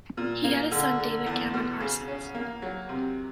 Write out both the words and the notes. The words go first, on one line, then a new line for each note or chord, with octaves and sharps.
He had a son, David Cameron Parsons.
A#2
A#3
D3
D3
E2
B2
C#3
C#4
A#3
F#3
C3